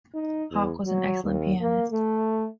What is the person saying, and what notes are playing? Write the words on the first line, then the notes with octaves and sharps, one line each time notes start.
Hawke was an excellent pianist.
D#4
E2
F#3
D#2
A#3
A3